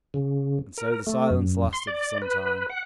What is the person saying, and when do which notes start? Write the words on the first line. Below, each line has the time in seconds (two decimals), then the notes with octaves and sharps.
And so the silence lasted for some time.
0.14 C#3
0.78 A#4
1.07 A3
1.30 F#2
1.73 C6
1.87 D5
2.22 B4
2.70 F#5